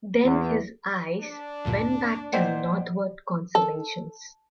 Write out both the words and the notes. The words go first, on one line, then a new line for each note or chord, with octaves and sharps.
Then his eyes went back to the northward constellations.
E2
D4
D2 G2 A#2
A#2 A3 C5 D5 D#5 F#5 G5
A4